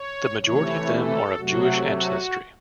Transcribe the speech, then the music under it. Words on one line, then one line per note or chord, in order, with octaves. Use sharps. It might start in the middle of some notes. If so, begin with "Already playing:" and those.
The majority of them are of Jewish ancestry.
Already playing: C#5
C3 E3 A3 C#5
A4
C3 F#3 A3 F#4
F#4